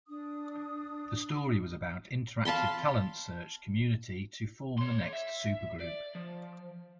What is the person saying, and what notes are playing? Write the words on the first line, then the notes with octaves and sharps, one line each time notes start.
The story was about interactive talent search community to form the next Supergroup.
D4 D#6
F5 A5 B5 C6
C#5 C6
E5
D5
F3